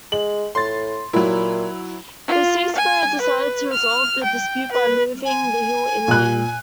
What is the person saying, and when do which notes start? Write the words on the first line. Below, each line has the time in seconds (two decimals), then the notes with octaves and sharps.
The sea spirit decided to resolve the dispute by moving the hill inland.
0.12 G#3 F#7
0.55 A2 C6 A6
1.13 A#2 F#3 E4
2.28 F4
2.76 G#5
3.21 B4
3.73 F6
4.23 G5
4.72 B4
5.25 G#5
6.08 A#2 F#6